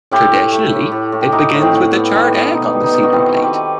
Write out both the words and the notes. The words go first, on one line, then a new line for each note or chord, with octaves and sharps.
Traditionally it begins with the charred egg on the Seder plate.
A2 E4 G4
A2
A3
A2
A2
A2
G4
A2 D#4 F#4
A2
C4 E4
A2
B3
D#3
B3
B2 D#4
G3
D#4
B2
F#4
D#3 C4 E4
A3
G4 B4
D#3